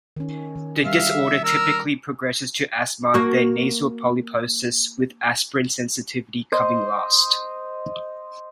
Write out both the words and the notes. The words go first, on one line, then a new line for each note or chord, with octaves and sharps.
The disorder typically progresses to asthma, then nasal polyposis, with aspirin sensitivity coming last.
D#3 C#4
D#3
G3 E5 F5
A#4 E6
A#3 F#4
C5 D#5